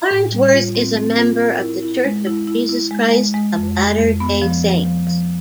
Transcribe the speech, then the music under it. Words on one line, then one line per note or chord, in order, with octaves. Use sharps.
Farnsworth is a member of the Church of Jesus Christ of Latter-day Saints.
A2
G3
F4
C4
C4
F4
A#4
E4
E4
G#3
E4
E4
E4
G#3
G#3
G#3
F2
G#3
F2
B3
F3
F3
F3
F3